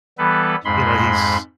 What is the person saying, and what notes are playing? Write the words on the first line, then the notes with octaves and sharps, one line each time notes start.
you know, he's,
E3 G3 B3 A4 B4
F2 G#2 G#3 B5 C6